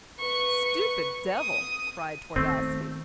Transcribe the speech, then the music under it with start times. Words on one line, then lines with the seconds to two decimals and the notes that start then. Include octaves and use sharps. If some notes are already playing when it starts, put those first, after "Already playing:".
"Stupid devil!" cried Twardowski.
0.18 B4 C#6
1.38 D#6
2.36 D#3 A3 B3 C4